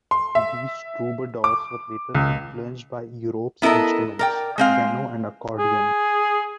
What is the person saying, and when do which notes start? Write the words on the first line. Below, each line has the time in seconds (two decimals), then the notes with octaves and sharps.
These troubadors were later influenced by Europe's instruments: piano and accordion.
0.11 C6
0.35 E5
1.44 D6
2.14 C#2
3.62 B3 E4 A4 A#4 D#5
4.19 A#4 D5 G5
4.58 G#3 C4 F5
5.58 G#4